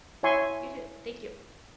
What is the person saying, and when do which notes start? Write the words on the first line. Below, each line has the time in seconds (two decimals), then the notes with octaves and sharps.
You too. Thank you
0.23 E4 C#5 E5 G#5 C6 C#6